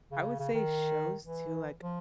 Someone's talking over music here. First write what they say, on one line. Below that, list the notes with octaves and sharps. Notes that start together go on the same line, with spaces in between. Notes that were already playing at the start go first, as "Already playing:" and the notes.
I would say shows too like
C#3
C#3
D#3
E3
F3